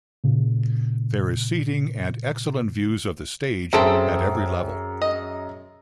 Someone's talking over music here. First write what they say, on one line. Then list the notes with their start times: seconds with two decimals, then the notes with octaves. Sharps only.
There is seating and excellent views of the Stage at every level.
0.24 A#2 C#3
3.73 F#2 C4 G#4 A4 E5 D7
5.02 D#5